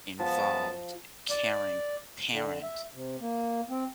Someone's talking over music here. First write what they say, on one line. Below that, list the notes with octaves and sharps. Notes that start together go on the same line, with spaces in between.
involved, caring parent.
F3 G#3 B3 A5
D5
D3
E5
C3
A#3
C4